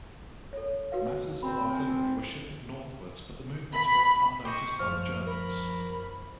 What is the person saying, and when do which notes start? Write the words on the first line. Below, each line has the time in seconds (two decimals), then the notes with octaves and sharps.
Masses of artillery were shifted northwards, but the movements went unnoticed by the Germans.
0.53 A4 C#5
0.92 F#4 B4 F5
1.43 C4 B5
1.70 C5 G#5
3.74 B5
4.45 G4 C5 D#5 C#6
4.79 F#2 F3 C5 C#6 F6
5.27 A#4 B5